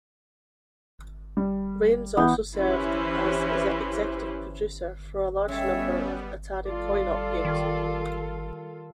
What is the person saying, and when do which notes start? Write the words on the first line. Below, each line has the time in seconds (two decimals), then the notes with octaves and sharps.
Rains also served as Executive Producer for a large number of Atari coin-op games.
1.37 G3
2.17 E3 B3 G6
2.58 E3 C#4 E4 G4 B4 C5
5.48 G3 G#3 B3 C#4 G4 A4 C#5 E5
6.65 G3 F4 A4 D5
7.45 D#3